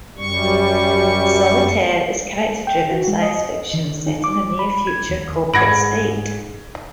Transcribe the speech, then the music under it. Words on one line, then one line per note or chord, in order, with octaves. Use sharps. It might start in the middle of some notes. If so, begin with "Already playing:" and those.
"Solitaire" is character-driven science fiction set in a near-future corporate state.
F#2 G3 C#6
G5
F#4
G#3
D#5
D#3
D#4
D6
B5
G#6
D#2
G#2 F#5 B5 G#6 A#6 D7